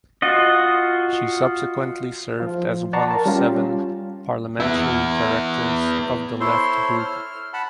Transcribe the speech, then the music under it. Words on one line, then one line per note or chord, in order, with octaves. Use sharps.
She subsequently served as one of seven parliamentary directors of The Left group.
F4 F#4 D#5
F3 F4
D5 F#5 A5 A#5 C6 C#6
A#4 A5
G3 C#4 F4 G4
B3 E4
E4 A4 C5 C#5 C6
F6
F#5 A5 B5